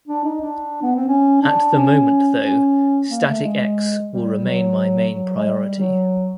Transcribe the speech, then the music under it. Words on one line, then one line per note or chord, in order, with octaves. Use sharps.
At the moment though, Static-X will remain my main priority.
D4
D#4
D4
B3
C4
C#4
D4
C#4
C#4
A#3
A3
G#3
G3
F#3
F#3
G#3
G3
F#3